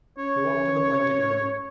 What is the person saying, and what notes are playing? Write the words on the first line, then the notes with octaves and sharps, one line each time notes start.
They walked to the plane together.
C#4 C#5